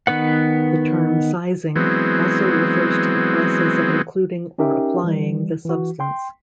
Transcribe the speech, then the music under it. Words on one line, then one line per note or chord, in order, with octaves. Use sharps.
The term "sizing" also refers to the process of including or applying the substance.
D#3 B3 B4 F#5
E3 F#3 G#3 B3 C4
C#4 D#4 G4 A#4 E5 G5
E3 G3
E3 F#4
G5 C6